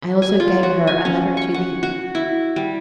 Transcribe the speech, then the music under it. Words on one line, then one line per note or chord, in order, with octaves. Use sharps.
I also gave her a letter to thee.
G#5
F4
F#4
G#5
C#4
C#6
F#5
F#4
E4
G3